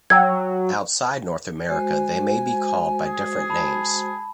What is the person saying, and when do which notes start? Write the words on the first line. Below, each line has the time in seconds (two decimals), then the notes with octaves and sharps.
Outside North America they may be called by different names.
0.10 F#3 G5 E6 G#6
1.69 G#3 F#4 C5 G#5
3.06 G#4
3.50 A5 B5